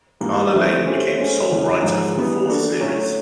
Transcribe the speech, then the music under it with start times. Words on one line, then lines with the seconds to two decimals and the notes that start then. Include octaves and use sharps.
Carla Lane became sole writer for the fourth series.
0.21 G#2 E3 G3 A#3
0.53 F3 A3 C4 E4 G4
0.85 A3 C#4 E4 G4 C5
1.18 G#3 C#4 F#4 A4 C5
1.50 E2 C#3 E3 G#3 C#4
1.82 G#2 F3 G#3
2.16 E3 G3 B3
2.47 A#3 D4 F#4 A4
2.80 A2 F#3 A3 C#4